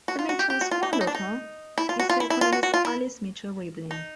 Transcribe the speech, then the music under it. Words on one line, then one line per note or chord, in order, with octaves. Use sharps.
The Mitchells' granddaughter is the economist Alice Mitchell Rivlin.
F#4
F4
F#4
G4
G4
F#4
F4
D#4
E4
D#4
D4
D#4
E4
F4
F#4
F4
E4
E4
F4
F#4
F#4
F4
E4
D#4